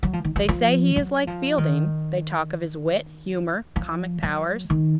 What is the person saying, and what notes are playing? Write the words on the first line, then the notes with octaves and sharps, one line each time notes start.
They say he is like Fielding: they talk of his wit, humour, comic powers.
F#3
F3
D#3
F3
F3
F#3
F3
D#3
F3
F#3
D#3